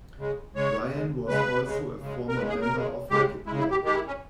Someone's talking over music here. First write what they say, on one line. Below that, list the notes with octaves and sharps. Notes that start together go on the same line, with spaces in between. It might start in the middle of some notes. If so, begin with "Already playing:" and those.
Brian was also a former member of Racketball.
C#3 G#3
C#3 G#3 C#5
C#3 G#3
C#3 G#3 B4
C#3 G#3
C#3 G#3
A#4
C#3 G#3 B4
G#4
A#4
C#3 G#3
C#3 G#3 G4
C#3 G#3 E4
E4
G4
D#3 G#3 G4
E4
C#4